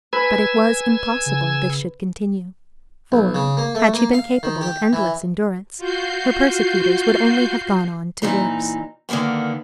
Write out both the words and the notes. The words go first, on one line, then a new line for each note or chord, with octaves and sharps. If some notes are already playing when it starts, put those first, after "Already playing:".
But it was impossible this should continue; for, had she been capable of endless endurance, her persecutors would only have gone on to worse.
B4 G#5 E6 G#6
C#3
B1
C#3
A#3
A3
A#3
F5
D#3
G4
E3
F4 F#4 G6 C7
A#2 E3 D#4 A#5
D3 D#3 G#3 A#3 B3